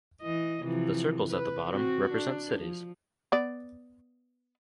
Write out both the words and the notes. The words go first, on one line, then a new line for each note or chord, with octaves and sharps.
The circles at the bottom represent cities.
E3 D#5
C3 E3 F3
B4
C4 F#4
D4
F3
B3 D5